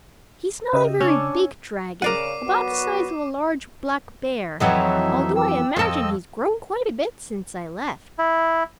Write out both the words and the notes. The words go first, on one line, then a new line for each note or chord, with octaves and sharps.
He's not a very big dragon, about the size of a large black bear, although I imagine he's grown quite a bit since I left.
C#3 G4 D#5 E5
C#4 D4 C#6 E6
C#3 A#4 D5 F#5 D6 C7 D#7
F#3 B3 F#4
F2 E3 F#3 D#4 D#5 E5 F#5 G5
G5 D6 E6
F2 C4 A4 D#5 E6
E4